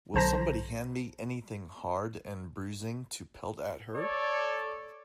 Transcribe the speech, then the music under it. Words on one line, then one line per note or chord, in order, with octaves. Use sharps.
Will somebody hand me anything hard and bruising to pelt at her?
B1 D3 C5 A5 A#5 A#6
A4 C#5 D5